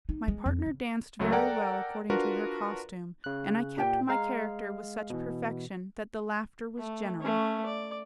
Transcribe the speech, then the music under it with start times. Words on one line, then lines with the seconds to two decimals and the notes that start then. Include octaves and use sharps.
My partner danced very well according to her costume, and I kept my character with such perfection that the laughter was general.
0.09 D#4
0.28 G#3
0.46 F2
0.66 C#3
1.20 C#2 F#3 A3
1.32 A4 A#4 D5 F#5 G5 A#5
2.10 D4 F4 F#4 A#4 B4
3.24 C#3 F#6
3.78 A#2 G4 G5
4.09 G#3 F5 A#5
5.10 B2 E3
6.78 A3
7.21 A3 C#4
7.66 D5